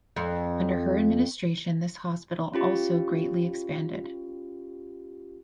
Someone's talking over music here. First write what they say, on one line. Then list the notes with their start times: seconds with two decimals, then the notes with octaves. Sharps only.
Under her administration this hospital also greatly expanded.
0.16 F2
2.54 C#4 F4 G4